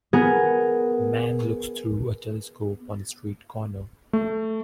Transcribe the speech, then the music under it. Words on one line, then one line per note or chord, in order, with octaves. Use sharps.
A man looks through a telescope on a street corner.
B3 G#4 A#4
A3